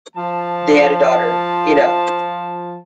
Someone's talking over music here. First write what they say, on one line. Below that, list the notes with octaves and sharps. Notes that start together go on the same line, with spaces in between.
They had a daughter: Itta.
F3 A5